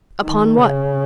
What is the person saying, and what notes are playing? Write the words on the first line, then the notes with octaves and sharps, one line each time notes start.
"Upon what?"
D#3
C#3